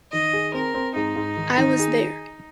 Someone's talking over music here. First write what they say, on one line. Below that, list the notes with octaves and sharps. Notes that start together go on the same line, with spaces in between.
I was there.
D#3 D#5
G#4
C4 A#4
C4
G#2 D#4
G#2
D#3
D#3
G#4